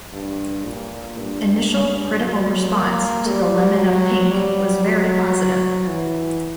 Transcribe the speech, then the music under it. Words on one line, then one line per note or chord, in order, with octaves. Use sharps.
Initial critical response to "The Lemon of Pink" was very positive.
G2
A#2
G2
G2
F#3
A#3
G3
F#3
G3
F#3
E3